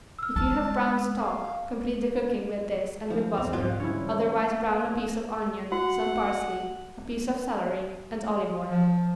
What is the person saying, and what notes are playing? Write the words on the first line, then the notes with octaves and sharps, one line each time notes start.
If you have brown stock complete the cooking with this and with butter, otherwise brown a piece of onion, some parsley, a piece of celery and olive oil.
E6 F6
G#3 A5
F5
E3 F3 D4
E1 B2 C4 F7
D1 G#2 D#3 G3 C4 F4 F#6
D3 E3 C#4 E4
F#4 F#5
F3